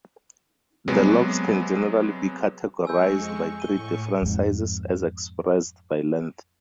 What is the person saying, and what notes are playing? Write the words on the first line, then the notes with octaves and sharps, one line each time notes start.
The locks can generally be categorized by three different sizes, as expressed by length.
C3 F#3 G#3 B3
F2 G#3 G#5 C#6 E6 G6
A2 C#6 D#7 G7
F2 G#2